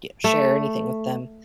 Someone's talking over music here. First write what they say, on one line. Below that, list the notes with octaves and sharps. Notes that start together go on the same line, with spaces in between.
ge share anything with them-
A3